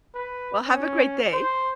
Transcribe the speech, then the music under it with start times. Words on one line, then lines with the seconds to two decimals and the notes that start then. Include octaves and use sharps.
Well, have a great day.
0.15 B4
0.66 C#4
1.33 C5